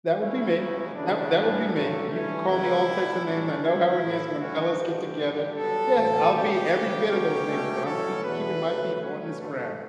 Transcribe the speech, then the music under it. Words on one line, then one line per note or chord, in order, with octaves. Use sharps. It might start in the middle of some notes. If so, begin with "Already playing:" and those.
That would be me. That that would be me. You can call me all types of names, I know how it is when fellas get together. Yeah, I'll be every bit of those names, but I'm see keeping my feet on this ground.
G2 D3 A3 C#4 E4
G1 F#2 C#3
D2 C#3 E3 D4
A1 A2 G3 C#4
A1 G2 F#3 A3
G2 E3 A3 C#4
C#2 C#3 E3 B3 E4
B1 A2 E3 G3
A1 A2 G3 C#4 D4
C#2 B2 F#3 E4
A1 A2 F#3 A3
G2 D3 A3 C#4 F#4
A1 G2 D3 G4
A1 G2 D3
G2 F#3 B3 A4
A1 A2 F#3
B1 B2 A3 C#4 G4
D2 C#3 G3
C#2 B2 F#3 C#4 G4
C#2 B2 A3 C#4
B1 A2 F#3 C#4 A4
E2 B2 A3 B4
E2 C#3 F#3 A3
G2 F#3 A3 C#4
A1 G2 D3 A3 C#4